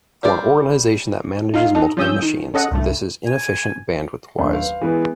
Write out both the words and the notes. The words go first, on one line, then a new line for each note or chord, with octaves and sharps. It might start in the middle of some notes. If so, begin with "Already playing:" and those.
For an organization that manages multiple machines this is inefficient bandwidth-wise.
G3 C5 D5
D#4 F4 F5
D#4 A4 D#5
F3 G3 C#4 D#6 E6 G6
D#3
C#4 A4 D#5 F#5
C2 G2 A3
G#5
F#1 D#2 A3 D4 F4
B4 C5 F5
E3 G#3 B3